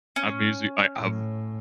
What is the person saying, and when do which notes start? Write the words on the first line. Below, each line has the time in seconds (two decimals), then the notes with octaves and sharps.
I musi I I've
0.16 C#4
0.99 A2